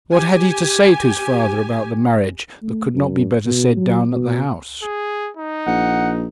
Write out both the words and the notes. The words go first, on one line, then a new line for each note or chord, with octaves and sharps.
What had he to say to his father about the marriage that could not be better said down at the house?
G4 G#5
A3
F#2
B2
F#3
B2
G#4
D#4
A#1 F#5